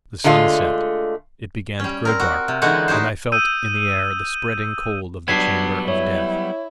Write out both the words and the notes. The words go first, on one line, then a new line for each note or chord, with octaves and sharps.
The sun set; it began to grow dark, and I felt in the air the spreading cold of the chamber of death.
D3 G#3 A3 F4
G3 C#4
C4 A#4
F#4
C3
D3 E3 G#3 D#4 F#4 F#5
D#4 F#4 G4 C5
D#6 E6 G6 D#7
F#3 G3 B3 D4 G#6 B6 C7
E4 C#5